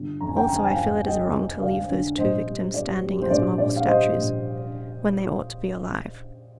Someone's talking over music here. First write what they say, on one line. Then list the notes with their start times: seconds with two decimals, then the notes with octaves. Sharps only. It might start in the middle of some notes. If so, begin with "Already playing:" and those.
Also I feel it is wrong to leave those two victims standing as marble statues, when they ought to be alive.
Already playing: G1
0.21 F2 A#5
0.28 G#5
0.36 G5 A#5
0.49 G1 A#5
0.56 G#5
0.63 G5
0.70 F5 G#5
0.76 F2
1.06 G#3 D#5 G5
1.33 G#3
1.61 G1 D5 F5
1.90 D3
2.17 A#1 C5 D#5
2.46 G3
2.74 G3 D5
3.02 G3
3.21 C5
3.30 A#1 D5
3.58 A#1 D5
3.76 F5
3.87 G3 C5 D#5
4.16 A#1